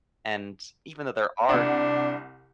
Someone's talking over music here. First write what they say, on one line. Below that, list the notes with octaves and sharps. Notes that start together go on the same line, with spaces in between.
and even though there are
C2 D4 F#5